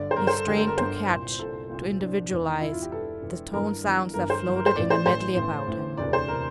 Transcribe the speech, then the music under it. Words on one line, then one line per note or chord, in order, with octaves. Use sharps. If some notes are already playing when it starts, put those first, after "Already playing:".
He strained to catch, to individualise the tone sounds that floated in a medley about him.
Already playing: G1 G2 D3 D5
C5
G1 G2 D3 A#4
C5
A4
G1 G2 D3 G4
A4
A#4
G1 G2 D3 C5
C2 A#2
C2 A#2 A4
C2 A#2
C2 A#2 D4
E1 E2 E3
E1 E2 E3 E4
F4
G4
E1 E2 E3 A4
E1 E2 E3
G1 G2 E3 A#4
G1 G2 E3
G1 G2 E3 A#4
C5
G1 G2 E3
A#4
C5
A1 A2 E3 D5
C5
A1 A2 E3 C5
A1 A2 E3
A1 A2 E3
E1 D2 C3 E3 D5
C5
C3 E3 A#4